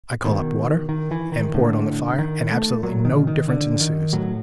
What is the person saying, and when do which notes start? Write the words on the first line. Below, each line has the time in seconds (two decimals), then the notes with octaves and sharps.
I call up water, and pour it on the fire, and absolutely no difference ensues.
0.24 B2 D#3
0.89 D#3
1.11 E3
1.32 D#3
1.54 A2 D3
2.19 D#3
2.51 A3
2.83 A#2 F#3
3.05 D#3
3.27 D#3
3.48 D3
3.81 D#3
4.13 A2 F#3